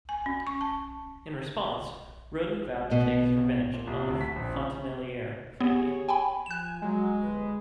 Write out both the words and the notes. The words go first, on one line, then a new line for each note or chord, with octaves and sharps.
In response, Roden vowed to take his revenge on the Fontenellier family.
G#5
C#4
C#6
A5
B2
A#2
C2
D2
B6
A#1
C#4
B3 G4 G#4 C#5
G5 G#5 B5
F3 G#5 F#6 E7
F#3 G#3
G1 B4 D#5